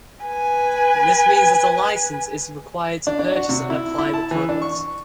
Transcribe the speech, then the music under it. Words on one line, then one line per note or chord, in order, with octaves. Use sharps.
This means that a license is required to purchase and apply the product.
B4 G#5
D4
D4
F#4
C3
E4
E4
A5
E3
D4
C#6